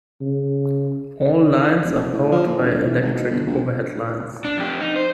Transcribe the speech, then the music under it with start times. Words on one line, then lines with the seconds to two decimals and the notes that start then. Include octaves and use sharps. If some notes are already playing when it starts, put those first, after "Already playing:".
All lines are powered by electric overhead lines.
0.21 C#3
1.83 E1
1.95 F#1
2.12 A2
2.31 F3
2.46 A#2
2.58 E1
2.75 G2
2.87 E3
3.02 G#1
3.15 B2
3.31 G1
3.46 A#1
4.45 D4
4.58 F2 G4
4.81 D#4
4.96 C5